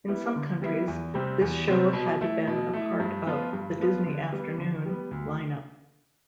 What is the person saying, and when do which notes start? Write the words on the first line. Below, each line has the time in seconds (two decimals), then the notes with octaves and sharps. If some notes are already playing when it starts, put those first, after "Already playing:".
In some countries, this show had been a part of "The Disney Afternoon" lineup.
0.08 G3 B3 E4
0.36 D3
0.62 G3 B3 E4
0.88 E2
1.14 C3 G3 C4
1.41 E2
1.68 C3 G3 C4
1.93 B2
2.21 A3 E4
2.47 B2
2.73 A3 E4
3.00 G2
3.27 F3 B3 F4
3.53 G2
3.80 F3 B3 F4
4.06 D3
4.32 G3 B3
4.58 D3
4.86 G3 B3
5.11 D2